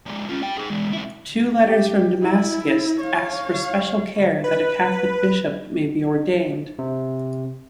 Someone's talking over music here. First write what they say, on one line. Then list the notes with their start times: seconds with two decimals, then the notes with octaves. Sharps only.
Two letters from Damasus asked for special care that a Catholic bishop maybe ordained.
0.06 F3 G#3
0.29 C#4 F4
0.43 G3 G5
0.58 D#4 G#4
0.70 E3 G#3
0.93 C3 E4
1.62 G4
2.21 E4
3.00 C#5 F5
4.44 B4
6.79 C3